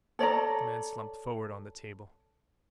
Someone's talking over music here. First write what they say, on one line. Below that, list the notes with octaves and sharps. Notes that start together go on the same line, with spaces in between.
The man slumped forward on the table.
A4 C#5 D5 A#5